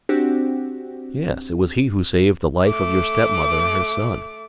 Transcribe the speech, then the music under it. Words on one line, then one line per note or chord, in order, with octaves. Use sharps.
"Yes; it was he who saved the life of your step-mother and her son."
C4 D4 F#4 G4
A3 D6